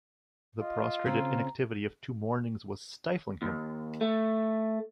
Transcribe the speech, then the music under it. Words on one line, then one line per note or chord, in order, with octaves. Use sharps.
The prostrated inactivity of two mornings was stifling him.
F4 D#5
C#3 C4 A#5
D#2
A3